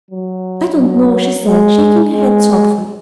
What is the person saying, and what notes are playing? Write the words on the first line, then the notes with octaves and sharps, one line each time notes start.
"I don't know," she said, shaking her head thoughtfully.
F#3
F#3
G#3
G#3